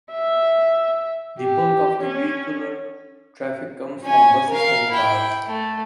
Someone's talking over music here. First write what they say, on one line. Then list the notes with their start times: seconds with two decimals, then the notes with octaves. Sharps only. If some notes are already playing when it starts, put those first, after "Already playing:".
The bulk of the vehicular traffic comes from buses and cars.
0.12 E5
1.40 G4
2.03 C#4
4.03 C#4 G#5
4.50 A#4 F5
4.91 E4 G5
5.46 A3